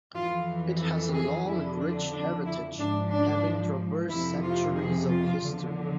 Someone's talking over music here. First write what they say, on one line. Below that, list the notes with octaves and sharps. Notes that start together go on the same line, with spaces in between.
It has a long and rich heritage, having traversed centuries of history.
F2 E3 F4
A4
G#4
F2 D3 F3 E4
D4
D4
E4
G#2 F3 D4
D4
F2 C3 F3 E4
F4
G#4
F4
E2 D3 F3